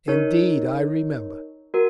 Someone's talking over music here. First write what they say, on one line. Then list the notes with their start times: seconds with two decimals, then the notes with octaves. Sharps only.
"Indeed I remember."
0.08 D#4 A#4 C#5
1.74 F#4 A#4